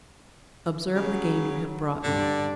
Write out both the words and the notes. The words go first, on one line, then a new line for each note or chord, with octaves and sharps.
Observe the game you have brought me!
C#3 F#3
G2 D3 D5